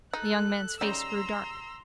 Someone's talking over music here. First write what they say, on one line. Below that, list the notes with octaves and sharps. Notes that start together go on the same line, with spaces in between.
The young man's face grew dark.
D#4 A4 F#6
C#3 G3 D#4 A#5 C6 E6